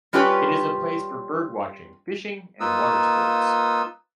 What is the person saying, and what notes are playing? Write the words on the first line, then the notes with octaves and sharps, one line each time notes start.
It is a place for bird-watching, fishing and water sports.
G3 C#4 F4 G4 B4 C#5
A#3 D#4 F4 B4 D#6 E6